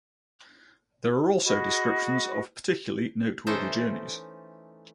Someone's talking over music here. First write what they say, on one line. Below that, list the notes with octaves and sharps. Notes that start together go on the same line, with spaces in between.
There are also descriptions of particularly noteworthy journeys.
F#4 G#4 D#5 B5
E3 A3 C#4 D#4 A4 C5